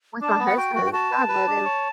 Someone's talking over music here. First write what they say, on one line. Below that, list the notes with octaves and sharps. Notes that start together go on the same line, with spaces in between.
with my husband, I love him,
D4 A5
B3
F#5
F#4 G5
F#4
G5
F#4 A5
B4
B4
D4
C#5